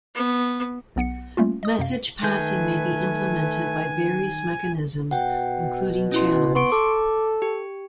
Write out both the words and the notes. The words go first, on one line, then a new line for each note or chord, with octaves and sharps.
Message passing may be implemented by various mechanisms, including channels.
B3
B1 B3 F#5 C#7
G3 A3 A#3 C#4 F4
D#5 D#6
F#2 C3 F5
D#3 A3 B4 G#5 G6
B2 F#5 G5
C#4 E4 C6
B3 C6 C#6 D7
A4 D6
G4